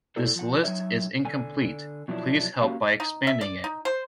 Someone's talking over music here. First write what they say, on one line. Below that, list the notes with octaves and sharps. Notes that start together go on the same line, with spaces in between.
This list is incomplete; please help by expanding it.
A#2 E4 A4 C5 D5
F3 F#5
F#3 D#4 G#4 C#5 E5
D3 G#5
B2 F3 F#3 B3 D4 E4
A#3 C#4 F#4 G4 F5
D#4
E5
D5
D#4
C5